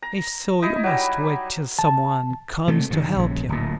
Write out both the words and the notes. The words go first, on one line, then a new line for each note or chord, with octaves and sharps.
If so, you must wait till some one comes to help you.'
A#5
D#4 E4 D#5
F#3 G3
A5
C3 A3
G2 D#3
A#1 C#3
D1 A#2